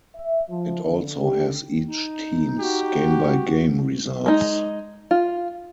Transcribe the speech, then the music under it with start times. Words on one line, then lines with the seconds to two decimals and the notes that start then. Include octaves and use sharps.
It also has each team's game-by-game results.
0.16 E5
0.49 F3
0.84 D3
1.21 G4
1.85 D#4
2.60 F#4 G4
4.26 G#3 D#4
5.11 F4